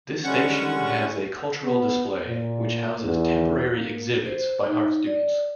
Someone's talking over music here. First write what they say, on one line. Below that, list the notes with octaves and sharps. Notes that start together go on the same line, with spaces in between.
This station has a cultural display, which houses temporary exhibits by art students.
D3 G3 G#3 C#4 F#5 C#6
B3
A#2
E2
A#3
C5
D#4
D5